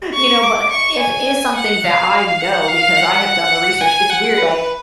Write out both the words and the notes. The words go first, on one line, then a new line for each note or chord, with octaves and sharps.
you know? But, if it is something that I know because I have done the research it's weird, like,
C#6
D6
C#6
G#5
F#5
F5
F#5
F5
F#5
G#5
F#5
B4